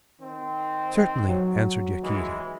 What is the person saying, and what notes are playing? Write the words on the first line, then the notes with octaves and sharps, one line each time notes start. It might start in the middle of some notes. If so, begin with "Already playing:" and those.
"Certainly," answered Yaquita.
D#3 C4
F#3
D#2 E3 G#3